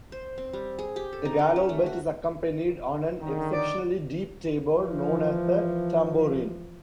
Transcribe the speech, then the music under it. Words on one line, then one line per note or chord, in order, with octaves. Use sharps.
The galoubet is accompanied on an exceptionally deep tabor known as the tambourin.
C5
C4
G3
G#4
G4
A4
D#4
C#4
C#4
A3
F#4
D3 D#3
D5
E3 F3